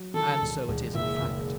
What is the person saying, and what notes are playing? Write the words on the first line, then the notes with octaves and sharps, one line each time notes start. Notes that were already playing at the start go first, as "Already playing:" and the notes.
And so it is in fact.
Already playing: F#3
D#3 A4
E1
E1
F#1 E5
F#1